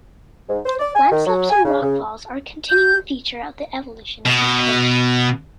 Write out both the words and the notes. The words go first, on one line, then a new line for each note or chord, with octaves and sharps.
Landslips and rockfalls are a continuing feature of the evolution of this coast.
G#2
C5
D5
G#5
D#3
F#3
G#5
C#3
C#3
G6
B2